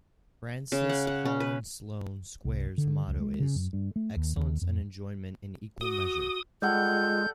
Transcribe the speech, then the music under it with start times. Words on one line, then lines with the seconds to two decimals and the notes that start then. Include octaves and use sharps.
Francis Holland Sloane Square's motto is: 'Excellence and Enjoyment in Equal Measure'.
0.72 C#3
0.89 F#5
1.07 F#5
1.25 C#4
1.40 B4
2.45 C2
2.78 D3
3.08 C#2
3.20 G#3
3.40 C#3
3.55 F#2
3.73 G2
3.96 A3
4.16 D#2
4.37 D#2
4.62 F2
5.81 F#4 D#6
6.62 G3 G#3 F4 A4 F#5 G6